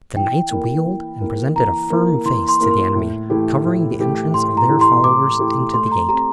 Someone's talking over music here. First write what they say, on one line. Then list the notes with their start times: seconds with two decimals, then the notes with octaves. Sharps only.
The knights wheeled and presented a firm face to the enemy, covering the entrance of their followers into the gate.
0.16 E3 G5
0.51 A#3 E4 A#4
0.86 E3
1.21 A#3 E4 A#4
1.56 E3 A#5
1.90 A#3 E4 A#4
2.25 E3 C6
2.49 C6
2.61 A#3 E4 A#4
2.71 C6
2.95 A2
3.30 E3 A3 E4 G4
3.65 A2
3.99 E3 A3 E4 G4
4.34 A2 C6
4.57 A#5
4.69 E3 A3 E4 G4
4.81 C6
5.04 A2 D6
5.39 E3 A3 E4 G4
5.74 A3 C6
5.92 A#5
6.08 C4 G4 A#5